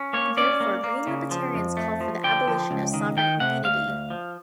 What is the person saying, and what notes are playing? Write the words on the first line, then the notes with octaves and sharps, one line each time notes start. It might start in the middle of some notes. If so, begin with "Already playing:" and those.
Therefore, green libertarians call for the abolition of sovereign immunity.
Already playing: C#4
A#3 C#5
C#4 D5
A#3
A#3
C#3
F3
F2
A3
F3
D3 G5
F3
C#2
D#3
D#3 G5
C3 F#5
D2 F5
D2
F3